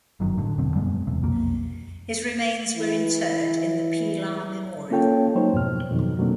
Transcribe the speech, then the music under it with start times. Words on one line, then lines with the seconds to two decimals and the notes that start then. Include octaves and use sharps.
His remains were interred in the Pilar Memorial.
0.20 G1 F#2 D#3 F#3
0.37 A2 D3
0.58 E1 B2 D3 C4
0.75 F#2 G3 G#3 B3
1.07 E2 C3
1.22 B1 F2 A#3
2.77 E3 E4
4.91 A#3 C#4 F4 A4 C#5 G5
5.35 F#3 G#3 A#3 D#4 C5 C#5
5.53 F2 G#2 B2 F6
5.90 F2 B2 D#3 F#3
6.18 B2 F#3 A3 A#3 C4 D4